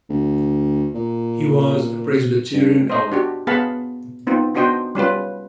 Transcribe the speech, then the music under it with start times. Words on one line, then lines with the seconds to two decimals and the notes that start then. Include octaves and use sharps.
He was a Presbyterian elder.
0.10 D2
0.95 A#2
2.53 G2
2.89 C5 D#5
3.12 D4 F#4 G4
3.47 B3 G#4 F5 F#5 A5 B5
4.27 B3 C4 D#4 F4
4.55 B3 D4 F#4 C5 D#5 G5
4.95 G3 C#4 F4 B4